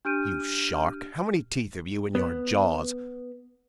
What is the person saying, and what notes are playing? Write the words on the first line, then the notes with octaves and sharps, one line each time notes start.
You shark! how many teeth have you in your jaws?
D4 G4 F6 G6 D7 D#7
B3